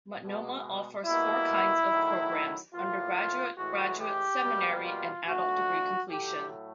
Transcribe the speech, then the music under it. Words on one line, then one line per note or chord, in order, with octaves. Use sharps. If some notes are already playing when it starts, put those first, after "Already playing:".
Multnomah offers four kinds of programs: undergraduate, graduate, seminary and adult degree completion.
B2 G#3
B2 G3 A#3 E4
D#3 F#3 A3
A2 F3 A#3 F4
A2 E3 G#3 F#4
G4
B2 G3 A#3
F4
D3 F3 A3 F#4
A2 F#3 A3 G4